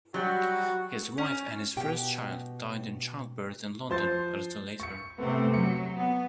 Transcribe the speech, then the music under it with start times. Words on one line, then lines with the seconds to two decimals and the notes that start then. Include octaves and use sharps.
His wife and his first child died in childbirth in London a little later.
0.14 F#3 G3 F#4
1.18 C#4
1.77 B2 G4 G5
3.90 F3 C5 A6
4.80 C#6 C#7
5.18 C3 A3 B3 C4
5.54 F#3 C#7
5.97 B3